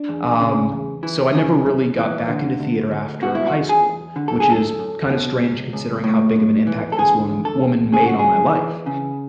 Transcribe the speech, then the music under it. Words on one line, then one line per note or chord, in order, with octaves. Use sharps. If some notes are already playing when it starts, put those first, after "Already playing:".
Um, so I never really got back into theater after high school, which is kinda strange considering how big of an impact this one woman made on my life.
Already playing: D4
E2
C#3
E2
E3
C#3
F#2
E3
D3
D2
D2
B2 F#4
E4
F#4
E2
G#4
E2
D3
A4
G#4
F#2 A4
F#2
B2
C#2
C#2
A2
B1
E3
A4
D3 G#4
E2
A4
E2
C#3 G#4
F#4
E2 G#4
E3
C#3